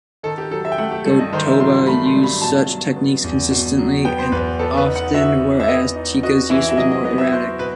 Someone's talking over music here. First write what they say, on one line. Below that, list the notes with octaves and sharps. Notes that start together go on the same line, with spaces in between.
Go-Toba used such techniques consistently and often, whereas Teika's use was more erratic.
D#3 A4
G4
F#3 A4
E5
G5
A3 F#5
G4
G2 A4
D#5
D#3 C5
E5
F#3 C6
C6
A3 B5
B5
C6
G2
B5
B2 A5
F#3
B3
E2
B2
F#3
B3 G5
C5
E2 B4
B3 A4
B4
D#4
F#5
F#4 E5
E3
E5
B3 D#5
D#4
F#4 D#5
E3 E5
E5
F#3 D#5
D#5
B3 D#5
E5
F#4 C5
B2 B4